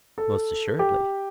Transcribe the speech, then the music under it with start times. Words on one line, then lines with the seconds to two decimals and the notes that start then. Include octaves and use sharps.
Most assuredly.
0.18 A4
0.79 G4